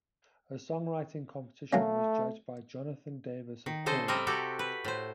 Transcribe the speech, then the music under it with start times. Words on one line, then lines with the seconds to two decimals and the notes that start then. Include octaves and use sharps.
A songwriting competition was judged by Jonathan Davis of Korn.
1.73 F#3 A3 A#3 C#4
3.66 D#3
3.86 C#3 A4 C5 D#5
4.08 G3 C4 A#4 D#5 E5
4.27 C3 F#4 G4 A4
4.59 B4
4.84 A2 C5